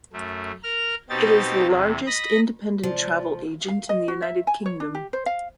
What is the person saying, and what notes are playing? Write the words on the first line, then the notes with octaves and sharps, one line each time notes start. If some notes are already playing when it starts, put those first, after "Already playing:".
It is the largest independent travel agent in the United Kingdom.
F#2 A3
A#4 F6
B2 C4 D#4 G4 A6
E2 C3
D#5 B5 A#6
C3 E3 F3 G#3 D5
F5
D#5
F#4
E5
G#5
C#5
D4
G4
C5
F5